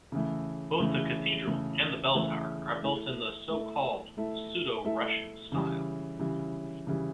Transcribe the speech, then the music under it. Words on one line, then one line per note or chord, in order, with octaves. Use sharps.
Both the cathedral and the belltower are built in the so-called pseudo-Russian style.
C#3 E3 A3
C#3 E3 A3
C#3 E3 A3
C#3 E3 A3
A3 E4 A4 E5
A3 E4 A4 E5
A3 E4 A4 E5
A3 E4 A4 E5
C#3 E3 G3
C#3 E3 G3
C#3 E3 G3